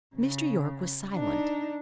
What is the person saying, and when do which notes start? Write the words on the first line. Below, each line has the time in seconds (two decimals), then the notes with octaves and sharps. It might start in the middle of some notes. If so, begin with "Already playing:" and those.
Mr. Yorke was silent.
0.15 C#3
1.15 D4 D#4